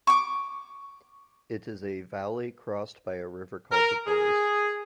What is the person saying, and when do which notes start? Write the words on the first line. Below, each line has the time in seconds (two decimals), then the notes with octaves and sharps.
It is a valley crossed by a river called the Birs.
0.07 C#6 D6
3.72 A#4
4.07 G#4